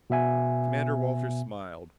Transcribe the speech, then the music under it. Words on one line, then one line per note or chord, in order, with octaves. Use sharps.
Commander Walters smiled.
B2 B3 E5 G#5